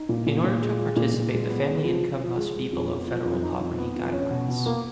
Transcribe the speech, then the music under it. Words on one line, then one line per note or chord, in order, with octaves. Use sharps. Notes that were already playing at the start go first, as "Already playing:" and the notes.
In order to participate the family income must be below federal poverty guidelines.
Already playing: D#4
A#2
A#2
A#2
G#3
G#3
A#2
A#2
G#3
B3
G#3
F3
F3
F3
G#3
G#3
F2
B3
F3
F2
D#4
F2
B3
F2
C#4
B2
B2
A#3